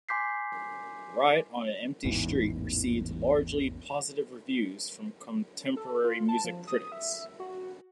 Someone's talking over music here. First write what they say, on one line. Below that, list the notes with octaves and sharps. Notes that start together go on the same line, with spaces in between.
"Riot on an Empty Street" received largely positive reviews from contemporary music critics.
G#5 C6 D6 G6 B6 C7
A1 E2 G#2 E3
A4
F4
A5
F3
D#6
E5
F#4